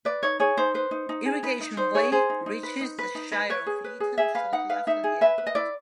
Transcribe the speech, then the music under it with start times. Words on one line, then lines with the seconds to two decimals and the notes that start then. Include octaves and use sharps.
Irrigation Way reaches the Shire of Leeton shortly after the airport.
0.05 B4 D5
0.23 D#4 C#5
0.40 G#4 C#5
0.57 D#4 C5
0.74 B4 C5
0.91 D#4
1.09 D#4
1.25 G#4
1.43 D#4 B4
1.60 D#4
1.77 D#4 C5
1.95 G#4 C#5
2.12 G#4 C5
2.30 D#4
2.46 D#4
2.63 B4
2.81 D#4
2.98 B4
3.15 D#4
3.32 B4
3.50 B4 C#5
3.66 G#4
3.84 B4
4.00 G#4
4.18 G#4 E5
4.35 B4 F5
4.52 D#4 F#5
4.69 B4 F5
4.87 D#4 E5
5.04 G#4
5.21 B4 E5
5.38 B4
5.47 D#5
5.55 E4 D5